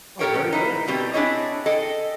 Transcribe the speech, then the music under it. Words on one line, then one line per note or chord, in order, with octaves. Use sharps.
Oh, very good.
G4 A4 A#4 C#5 G5
F#3 C#4
D#4 E4
B2 G3 C4
C4 D4 E4 G#4 C#5 D#5
G#4 A4 D#5 G5